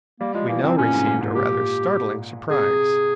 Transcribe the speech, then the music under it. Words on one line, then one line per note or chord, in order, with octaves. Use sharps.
We now received a rather startling surprise.
G3 A#3
F3 G#3
E3 A#3
C3 C4
A#2 C#4
G#2
A#2
G#2
A#2 G4
C3 G#4